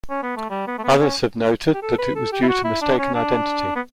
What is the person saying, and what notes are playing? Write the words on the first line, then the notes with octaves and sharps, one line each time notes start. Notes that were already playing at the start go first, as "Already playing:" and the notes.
Others have noted that it was due to mistaken identity.
C#4
B3
A3
G3
B3
A3
B3
C#4
G4
A4
B4
A4
G4
E4
F#4
E4
D4
C#4
D4
B3